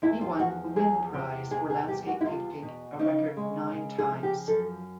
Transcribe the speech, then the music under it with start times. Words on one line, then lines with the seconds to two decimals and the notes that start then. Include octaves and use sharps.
He won the Wynne Prize for landscape painting a record nine times.
0.02 E2 E4
0.21 F4
0.39 F3 F#4
0.76 E2 G#4
1.14 C3
1.51 E2 G#4
1.70 G#4
1.88 G3 G4
2.07 F#4
2.21 E4
2.25 E2 F4
2.62 B2
2.99 C#3 D#4
3.37 G#3
3.73 C#3
3.98 G#4
4.11 F3
4.23 G4
4.47 F#2 A4